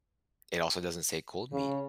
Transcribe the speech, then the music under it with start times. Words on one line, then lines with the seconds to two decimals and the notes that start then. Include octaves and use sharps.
It also doesn't say, "cold meat."
1.53 C#3